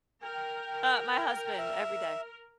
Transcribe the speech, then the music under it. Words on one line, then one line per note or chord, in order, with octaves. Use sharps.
Uh, my husband, every day,
A#4 G5
E5